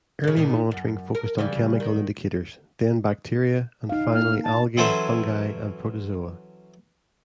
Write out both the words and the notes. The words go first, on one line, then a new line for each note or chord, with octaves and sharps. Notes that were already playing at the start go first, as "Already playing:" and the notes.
Early monitoring focussed on chemical indicators, then bacteria, and finally algae, fungi and protozoa.
C#3 A#3
A#2 D#3 D#4
F#2
A#4
C#3 E3 G3
D#3
D#4 F5
A#3 F6
A5
E3 F#3 C#4 A4 C5 E5